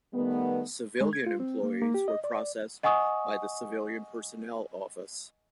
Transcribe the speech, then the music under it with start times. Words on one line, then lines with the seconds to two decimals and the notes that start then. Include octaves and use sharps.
Civilian employees were processed by the Civilian Personnel Office.
0.14 D#3 G3 A3 B3
1.01 G#3
1.13 G#6
1.26 F4
1.40 C4
1.63 A#3
1.82 A#3
1.94 G4
2.08 D#5
2.24 D5
2.83 D#5 F#5 G#5 C#6 D#6